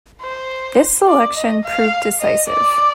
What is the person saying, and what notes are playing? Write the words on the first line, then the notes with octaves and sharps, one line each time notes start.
This selection proved decisive.
C5
D5
D#5
F5
D#5
D5